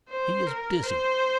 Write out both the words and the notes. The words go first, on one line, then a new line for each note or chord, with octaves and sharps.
"He is busy."
C5
A#4
C5